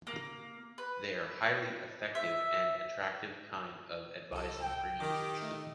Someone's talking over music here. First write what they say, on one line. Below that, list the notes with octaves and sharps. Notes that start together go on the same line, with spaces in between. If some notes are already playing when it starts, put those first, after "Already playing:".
They’re a highly effective and attractive kind of advertising for users.
A#3
B4
E5
C2 A4
G5
D#3 G4 D6
A3 D#5